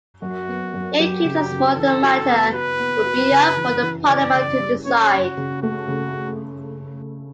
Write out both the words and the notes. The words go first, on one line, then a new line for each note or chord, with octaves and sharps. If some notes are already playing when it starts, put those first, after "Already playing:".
In case of smaller the matter would be up for the Parliament to decide.
F#2 F#4
B3
F#2
F#3 G4
C#3
C#3
E3 A4
F#4
B3
F#4 B4
B3
F#4
C#3
E3
E3
C#3 D5
C#3
G3
C#4 C#5
C#4
F#4
C#3
A3 F#4
C#3